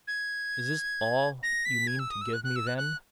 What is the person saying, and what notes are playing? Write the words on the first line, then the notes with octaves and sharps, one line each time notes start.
'Is this all you mean to give me, then?'
G#6
A#6
B6
G#6
E6
D#6
E6
F#6
F#6
E6
F#6
F#6